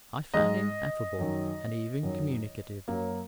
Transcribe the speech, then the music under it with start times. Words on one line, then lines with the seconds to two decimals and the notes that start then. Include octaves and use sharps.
I found him affable and even communicative.
0.34 G#2 G#3 D#5
1.18 F#2 D#3 F#3
2.03 F#2 D#3 F#3
2.88 F#2 F#3 A#3